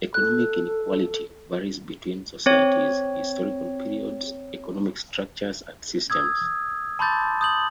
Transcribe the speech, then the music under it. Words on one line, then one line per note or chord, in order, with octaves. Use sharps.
Economic inequality varies between societies, historical periods, economic structures and systems.
A4 F#6
C4 C#5
D#6 E6 G#6
A5 B5 C6 D6 G6 A6
D#6 G6 F#7